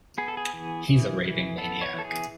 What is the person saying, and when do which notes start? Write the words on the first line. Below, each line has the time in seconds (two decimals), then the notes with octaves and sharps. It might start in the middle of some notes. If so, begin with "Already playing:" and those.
He's a raving maniac.
0.18 B3 G#4
0.28 A4
0.37 G#4
0.53 E3
0.88 E3
1.23 E3
1.58 B3 A4
1.81 C#5
1.94 E3 A4
2.05 G#4